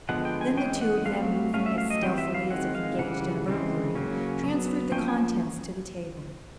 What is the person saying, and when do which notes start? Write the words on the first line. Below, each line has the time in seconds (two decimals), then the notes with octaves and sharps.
Then the two of them, moving as stealthily as if engaged in a burglary, transferred the contents to the table.
0.09 D3 F3 G#3 B3 F#5
0.25 G5
0.41 G#5
0.57 E3 G#3 C#4 G5
0.81 F#5
1.06 F#3 A3 C4 F5
1.54 F#3 A3 C#4 F5
1.66 E5
1.78 F5
1.90 D#5
2.02 E3 G3 C4 G5
2.18 E5
2.35 F5
2.50 D#3 G#3 C4 F#5
2.75 F5
2.99 C#3 E3 G3 F#5
3.47 C#3 E3 G#3 C4
3.95 C#3 F#3 A#3 C#4
4.44 F#3 B3
4.92 F3 A#3 C#4 G5
5.08 G#5